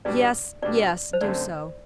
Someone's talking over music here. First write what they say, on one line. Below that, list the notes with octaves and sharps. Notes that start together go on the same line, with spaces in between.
"Yes, yes, do so."
B2 G3 D4 D5
B2 G3 D4 D5
C5
F#2 D3 A3 C4 D5